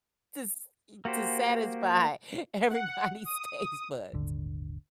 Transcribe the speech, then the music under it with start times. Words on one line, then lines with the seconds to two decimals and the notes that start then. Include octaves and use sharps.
To s e to satisfy everybody's taste buds.
1.05 A#3 F#4 G4 C5
2.70 F#5
3.25 D#6
4.13 D#1 G#1 D3